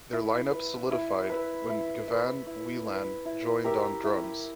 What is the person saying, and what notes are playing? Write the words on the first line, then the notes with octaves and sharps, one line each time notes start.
Their line-up solidified when Gavan Whelan joined on drums.
E4
B4 E5
E4
B4 E5
E4
B4 E5
E4
B4 E5
E4
G4 A#4 E5
E4